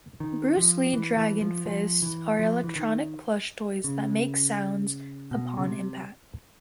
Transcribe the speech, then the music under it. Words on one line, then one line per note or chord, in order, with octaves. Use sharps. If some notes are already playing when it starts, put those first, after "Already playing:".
Bruce Lee Dragon Fists are electronic plush toys that make sounds upon impact.
D#3
F3
E3
E3
F3
F3
E3
F3
E3
D#3
C#3
B2
C#3
C3